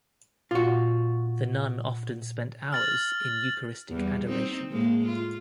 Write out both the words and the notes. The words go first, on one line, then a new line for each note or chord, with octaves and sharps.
The nun often spent hours in Eucharistic Adoration.
A#2 F4 F#4
F6 A6 F#7
E2 G3
C4 D#4
A2 G#3 A#3
F4